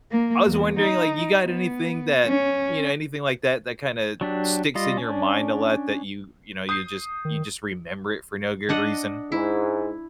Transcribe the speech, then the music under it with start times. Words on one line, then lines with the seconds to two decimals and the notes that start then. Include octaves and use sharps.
I was wondering, like, you got anything that, you know, anything like that, that kinda sticks in your mind a lot that you, you know, you just you just remember it for no good reason?
0.11 A#3
0.48 E2
0.79 D#4
1.44 B3
2.26 C#4
4.21 F#3 D4 G4
4.75 G3 F4 D#5
4.97 C#4 D4
6.69 D#6 G6 C7
7.25 D#3
8.69 D4 D#5 F#5
9.32 G#2 E4